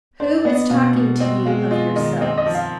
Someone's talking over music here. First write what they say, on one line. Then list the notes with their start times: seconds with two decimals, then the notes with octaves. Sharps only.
Who is talking to you of yourselves?
0.20 D4 C5
0.37 D5
0.45 B3
0.54 D#5
0.70 B2 F5
0.95 B2
1.20 C4 D#5
1.46 G#3 F5
1.71 F4 D#5
1.96 D#3 D#5
2.21 C4 D#5
2.38 D#5
2.46 F3
2.55 F5